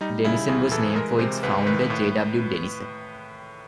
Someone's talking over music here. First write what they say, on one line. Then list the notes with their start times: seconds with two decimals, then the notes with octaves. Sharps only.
Denison was named for its founder, J. W. Denison.
0.01 G3 D#4
0.25 C#3 E4
0.48 D#2 G#4
0.72 E3 A4
0.95 G#3 A#4
1.19 C3 C5
1.43 C#2 B4
1.66 D#3 B4
1.90 A2